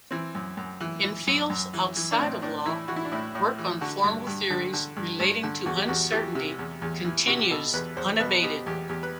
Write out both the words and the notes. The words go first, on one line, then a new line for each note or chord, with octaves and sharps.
In fields outside of law, work on formal theories relating to uncertainty continues unabated.
E3 C4
F#2
F#2
E3
E3
F#2
F#2
E3
E3
D4
A2 C4
A2 D4
E3 E4
E3 F#4
E4
D4
A2 E4
A2
E3
D3 F#4
G2
G2
D3
D3
G2
G2
D3
E2 F#4
G4
E2 F#4
E3 G4
C3
E2
E2
E3
C3 F#4
G4
B2 A4
E2 B4
E2 C5
B2 B4
B2 G4
E2 G4
E2 G4
B4